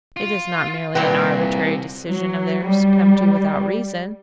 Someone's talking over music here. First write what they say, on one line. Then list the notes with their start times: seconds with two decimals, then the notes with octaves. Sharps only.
It is not merely an arbitrary decision of theirs, come to without reason.'
0.17 F4
0.95 C2 A#2 B4 G5 A#6
2.07 F#3
2.65 G3